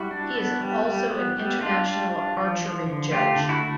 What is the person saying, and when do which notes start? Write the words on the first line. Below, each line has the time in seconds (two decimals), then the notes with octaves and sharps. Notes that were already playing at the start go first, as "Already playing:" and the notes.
He is also an international archery judge.
Already playing: G3 E4 F#4
0.11 D4
0.35 B3
0.61 G3
0.85 G3
1.10 B3
1.36 G3
1.61 D4 F4
1.86 G3
2.10 D4
2.36 F3
2.61 F3
2.86 D3
3.12 A3 F4 G4
3.36 D3
3.49 E4 F#4
3.62 A3